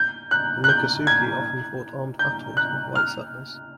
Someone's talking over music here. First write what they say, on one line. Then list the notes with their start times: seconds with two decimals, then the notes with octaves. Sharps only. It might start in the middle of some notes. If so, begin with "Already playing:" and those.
The Miccosukee often fought armed battles with white settlers.
Already playing: G6
0.31 F#6
0.64 F#6
0.69 G6
1.07 G#6
2.19 G6
2.57 F#6
2.95 F6